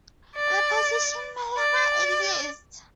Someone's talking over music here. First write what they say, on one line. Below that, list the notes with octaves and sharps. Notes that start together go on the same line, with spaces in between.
The position no longer exists.
D5
D5